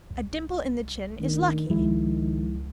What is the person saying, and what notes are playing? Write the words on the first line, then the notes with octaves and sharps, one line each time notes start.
A dimple in the chin is lucky.
C2
D#3 A3 D4
C#2 D#3 F3 G#3 E4